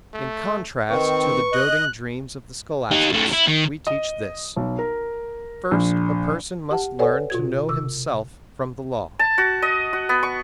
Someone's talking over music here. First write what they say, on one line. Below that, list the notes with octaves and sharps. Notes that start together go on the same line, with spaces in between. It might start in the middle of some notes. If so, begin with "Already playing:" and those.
In contrast to the doting dreams of the scholastics, we teach this: First a person must learn to know himself from the Law.
A3
D#3 C4 B4 C#6
D#5 F#6
D#4 G4
F#2 A3
E4
D#3
D#5
B1
A#4
A#1
G4 F#5 A5
A4 B4 C#5 D5 F#5 G#5
B2 F4 F#4 G#6
C3 D6 E6
A5
F#4
D#5
F#4
B3
C#6